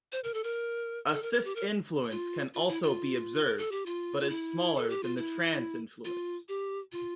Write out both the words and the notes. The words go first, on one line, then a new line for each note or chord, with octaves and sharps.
A "cis influence" can also be observed, but is smaller than the trans influence.
C5
A#4
A4
A#4
A4
A#4
A#4
G4
A#4
F4
F4
E4
F4
A#4
A4
G4
F4
F4
E4
A4
G4
F4
E4
F4
G4
F4